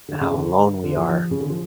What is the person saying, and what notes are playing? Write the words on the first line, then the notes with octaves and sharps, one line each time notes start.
how alone we are.
D3
C#3
D3
D3
F3
F3
C#3
D3
F3